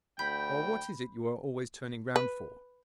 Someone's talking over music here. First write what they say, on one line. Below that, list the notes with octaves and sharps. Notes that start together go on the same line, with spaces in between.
'Or what is it you are always turning round for?'
D2 G5 B5 G6
B4